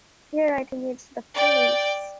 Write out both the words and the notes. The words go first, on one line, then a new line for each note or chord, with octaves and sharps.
Here, I think it's the police.
D5 G5